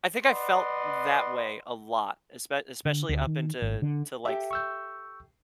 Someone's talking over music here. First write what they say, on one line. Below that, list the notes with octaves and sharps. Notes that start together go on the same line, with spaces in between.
I think I felt that way a lot, espe especially up into to, like,
B4 D5 D#5 F#5 C6
D3
D2
D#3
G#1
D3
G4 A4 E5
C#6 E6 G6